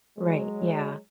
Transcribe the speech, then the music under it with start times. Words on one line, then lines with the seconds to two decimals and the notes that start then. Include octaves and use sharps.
Right, yeah.
0.18 F#3 G#3